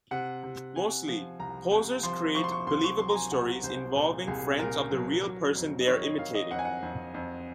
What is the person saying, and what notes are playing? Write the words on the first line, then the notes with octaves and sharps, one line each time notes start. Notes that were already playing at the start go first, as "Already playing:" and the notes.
Mostly, posers create believable stories involving friends of the real person they are imitating.
C3 F#5
C3
C3 G#5
F3
C2 A#5
C2
F3 C6
F3 C#6
C6
C#6
C2 C6
C#6
F#3 C6
A#5
G#5
C2 F#5
C2 C5
A#2
C2 G#4
A#2 A#4
F#3
F#3
F2
D#5
D#3 C#5
D#5
D#3 F5
D#5
F2 F#5
G#5
F#5
F2
F2